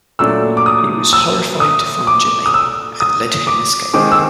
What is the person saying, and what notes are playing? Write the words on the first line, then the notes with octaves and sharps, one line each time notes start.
He was horrified to find Jimmy and let him escape.
A#2 F#3 A3 D4 E6
D6
D#6
E6
D#6
D6
D#6
E6
D#6
D6
D#3 G#3 C4 D6
E6